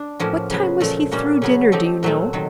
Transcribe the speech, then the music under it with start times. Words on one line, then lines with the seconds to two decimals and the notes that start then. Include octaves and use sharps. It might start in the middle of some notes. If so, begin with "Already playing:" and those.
"What time was he through dinner, do you know?"
Already playing: D4
0.19 A2 F3 A#3 C#4 F#4
0.50 C#3 F#3 B3
0.80 A#2 F3 A3
1.12 A#2 G3 A#3 C#4 F#4
1.42 C#3 F#3 B3
1.72 F3 A3 C4 D#4 G4
2.03 A#2 F#3 A3 C4
2.33 C3 D#3 F#3